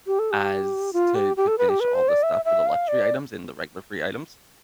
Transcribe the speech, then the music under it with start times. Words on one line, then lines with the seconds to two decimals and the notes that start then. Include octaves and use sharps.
as to to finish all the stuff for the luxury items and the regular free items,
0.07 G4
0.19 A4
0.31 G4
0.93 F4
1.15 G4
1.37 G4
1.47 A4
1.58 B4
1.69 G4
1.80 B4
1.94 C5
2.09 D5
2.23 E5
2.45 E5
2.67 F5
2.88 D5